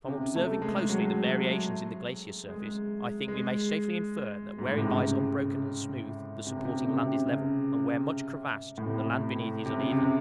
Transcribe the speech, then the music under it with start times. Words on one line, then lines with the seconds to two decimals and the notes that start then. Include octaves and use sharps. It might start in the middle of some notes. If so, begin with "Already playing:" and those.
From observing closely the variations in the glacier surface, I think we may safely infer that where it lies unbroken and smooth, the supporting land is level; and where much crevassed, the land beneath is uneven.
0.05 C#3
0.09 C3
0.36 A3
0.62 G#3
0.89 F#3
2.48 G#3
3.28 G#3
4.59 G#2
4.68 A2
4.78 C3
4.88 C#3
6.47 C3
6.56 C#3
6.65 C3
6.75 C#3
6.85 C3
6.93 C#3
7.02 C3
7.27 C#3
8.78 A2
8.86 C3
9.66 C3
9.80 C#3
9.93 C3